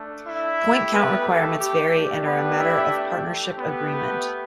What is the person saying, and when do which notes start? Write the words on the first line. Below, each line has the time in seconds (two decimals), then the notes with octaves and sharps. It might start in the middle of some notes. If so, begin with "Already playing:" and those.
Point count requirements vary and are a matter of partnership agreement.
Already playing: A3 D4
0.27 E4 E5
0.60 A3 G4
0.93 B3 B4
1.27 A4
1.59 G4
1.93 A3 D4 G4
2.26 B3 B4
2.59 E4 E5
3.25 A3 G4
3.58 B3 B4